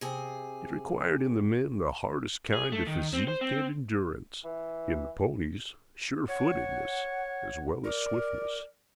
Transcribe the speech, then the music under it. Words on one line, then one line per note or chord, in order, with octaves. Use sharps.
It required in the men the hardest kind of physique and endurance, in the ponies surefootedness as well as swiftness.
C3 G#4
G#4
A3
D#3
C4
C5
C4
E3
C#5 F#5
A#4 D5